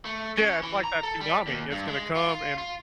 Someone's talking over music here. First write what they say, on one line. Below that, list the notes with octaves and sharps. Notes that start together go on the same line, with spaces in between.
Yeah, it's like that tsunami, it's gonna come, and
A3
C#4
E3
A#5
A4
G3
D#2
G2
G#3
F4
F4
F4